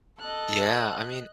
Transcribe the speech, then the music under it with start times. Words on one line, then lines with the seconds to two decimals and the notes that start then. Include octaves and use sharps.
Yeah, I mean,
0.20 A4 D#5 F#6